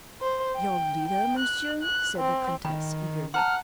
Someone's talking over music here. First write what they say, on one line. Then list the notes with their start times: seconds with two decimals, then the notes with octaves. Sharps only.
"Your leader, Monsieur?" said the Comtesse, eagerly.
0.22 C5
0.56 G5
1.08 G5
1.39 F#6
1.82 F#6
2.18 C4
2.65 D#3 G5 B5
3.34 F#5 A5 A#5 C6 F6